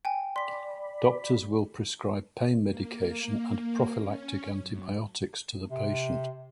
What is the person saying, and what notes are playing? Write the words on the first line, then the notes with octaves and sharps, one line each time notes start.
Doctors will prescribe pain medication and prophylactic antibiotics to the patient.
G5 G#5
D5 B5 C6 B6
A#3
C#4
F#2
C3